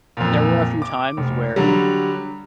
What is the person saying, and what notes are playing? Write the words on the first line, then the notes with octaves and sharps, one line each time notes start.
there were a few times where
F2 A#2
D6
F1
D3 F#3 G3